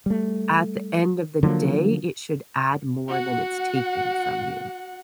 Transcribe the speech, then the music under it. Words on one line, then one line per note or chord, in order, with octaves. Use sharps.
at the end of the day, it should add more than it's taking from you.
G3 A3
D3 F3 F#3 A#3
F#4 F#5